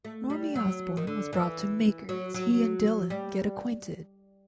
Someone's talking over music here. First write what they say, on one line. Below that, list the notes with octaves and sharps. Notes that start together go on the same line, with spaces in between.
Normie Osborn was brought to Maker as he and Dylan get acquainted.
A3
G3
F#3
D#3
D3
E3
F#3
F#3
G3